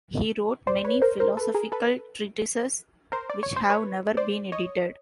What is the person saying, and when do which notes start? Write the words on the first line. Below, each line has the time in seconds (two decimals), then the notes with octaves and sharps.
He wrote many philosophical treatises which have never been edited.
0.67 C5 D5
0.85 B4 C#5
1.02 A#4 C5
1.20 A#4 C5
1.37 A4 B4
1.54 G#4 A#4
1.72 A4 B4
3.12 A#4 C5
3.30 D5
3.43 C#5
3.56 C5
3.70 B4 C#5
4.17 C5 D5
4.52 C#5 D#5